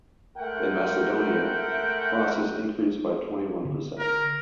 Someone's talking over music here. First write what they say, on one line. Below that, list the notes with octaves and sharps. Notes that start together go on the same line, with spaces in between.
In Macedonia, losses increased by twenty-one percent.
G#3 A3 A#4 E5 F#5 G5
D3
A#4